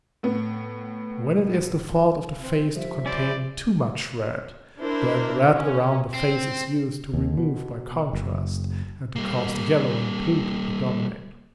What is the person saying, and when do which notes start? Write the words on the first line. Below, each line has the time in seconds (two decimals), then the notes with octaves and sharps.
When it is the fault of a face to contain too much red, then red around the face is used to remove by contrast, and to cause the yellow and blue to predominate.
0.23 A2 B3
2.39 C4
2.76 F3 G3 E5
3.06 C#4 E4 C5 D5
4.80 D4 E4 A#4 C5
5.54 C#4
6.14 C4
7.13 D#2
7.37 B2
8.13 F#1
9.16 G3 A#3